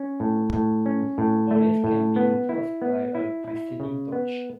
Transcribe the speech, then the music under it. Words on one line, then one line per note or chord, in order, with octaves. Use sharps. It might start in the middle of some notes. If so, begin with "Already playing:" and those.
All these can be enforced by a preceding "doch".
Already playing: C#4
A2
A2
C#4
A2
A3
A2
B3
E4
B3
E4
E4
C#3
B3